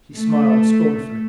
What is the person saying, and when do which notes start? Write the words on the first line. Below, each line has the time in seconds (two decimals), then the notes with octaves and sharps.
She smiled scornfully.
0.17 A3